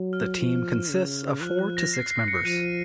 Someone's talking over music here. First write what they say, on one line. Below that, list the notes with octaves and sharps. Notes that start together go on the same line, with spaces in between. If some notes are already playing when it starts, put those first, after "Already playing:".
The team consists of four to six members.
Already playing: F#3
F6
F3
C#3
F3 F#6
F#6
A#6
C7
C7
C#7
F3 D#7